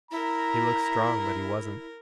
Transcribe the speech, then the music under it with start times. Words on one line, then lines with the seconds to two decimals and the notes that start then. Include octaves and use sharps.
He looked strong, but he wasn't.
0.11 E4 A#4 A#5